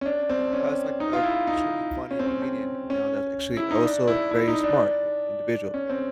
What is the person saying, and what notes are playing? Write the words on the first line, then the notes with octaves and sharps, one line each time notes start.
uh, it's, like, uh, extremely funny comedian, you know, that's actually also a very smart i individual b
C#4
D4
C4
C#4
D#4
F4
E4
D#4
C#4
C4
C#4
C4
C#4
E4
D#4
D4
E4
E4
D#4
D4
C#4
C4